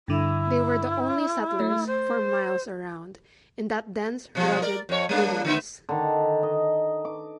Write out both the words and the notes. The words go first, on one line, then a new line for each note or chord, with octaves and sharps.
They were the only settlers, for miles around, in that dense, rugged wilderness.
G2 D3 E4
A3
C5
B2 F3 G#3
A#4 D5
F2 C#5
G3 A#3 D4
D3 B3 E5
D3 D#3
D#5
D6